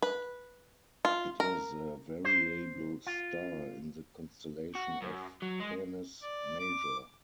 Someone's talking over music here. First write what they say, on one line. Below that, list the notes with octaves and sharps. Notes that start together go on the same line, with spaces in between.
It is a variable star in the constellation of Canis Major.
B4
F4
A#4
C5
F4
F#4
F#2
F#3
G#3
D5
D6